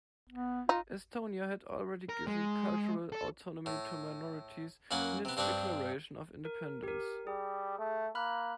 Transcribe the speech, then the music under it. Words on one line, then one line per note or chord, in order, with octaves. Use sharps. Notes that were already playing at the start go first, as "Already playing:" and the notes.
Estonia had already given cultural autonomy to minorities in its declaration of independence.
B3
D#4 F4
A#4
G#3
A4
A2
F#2 A#3 B4 F#5 G#5
C3 B3
G2 C4 D4 G4 B4 C#6
A#4
G4 A#4
G3 G#4
A3
A#3 B5 F6 F#6